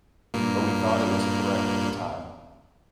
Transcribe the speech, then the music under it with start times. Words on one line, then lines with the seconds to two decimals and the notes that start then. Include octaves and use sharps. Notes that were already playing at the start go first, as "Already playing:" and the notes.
But we thought it was correct at the time.
0.34 G2 A#2 A#3